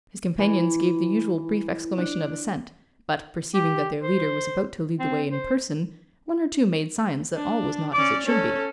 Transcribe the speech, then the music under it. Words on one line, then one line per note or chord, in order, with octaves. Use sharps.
His companions gave the usual brief exclamation of assent, but, perceiving that their leader was about to lead the way in person, one or two made signs that all was not as it should be.
E3
D4
G4
C5
C4
C5
D4
C#4 D5 D6
C#4 A4 C#5